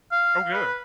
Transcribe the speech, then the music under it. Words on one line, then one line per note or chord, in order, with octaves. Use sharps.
Oh, good.
F5
B4